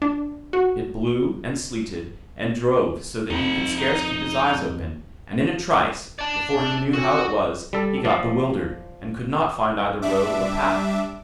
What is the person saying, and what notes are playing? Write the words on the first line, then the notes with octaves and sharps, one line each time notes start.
It blew, and sleeted, and drove so that he could scarce keep his eyes open; and in a trice, before he knew how it was, he got bewildered, and could not find either road or path.
D4
F#4
F2 D#4 B5
D#4
D5 A5
C3
F3 C4 C#4 F#4
G3 A4
F3 D5
G3 D4 E5 D6